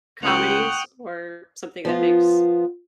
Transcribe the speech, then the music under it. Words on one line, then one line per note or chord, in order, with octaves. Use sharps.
comedies, or something that makes
C#2 F#5 G5 C#6 D#6 F7
F3 B3 F4